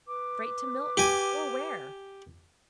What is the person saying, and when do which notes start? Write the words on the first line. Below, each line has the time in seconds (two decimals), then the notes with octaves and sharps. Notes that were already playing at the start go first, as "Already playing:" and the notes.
Straight to Milton, or where?
0.07 B4 D6
0.97 G4 G#5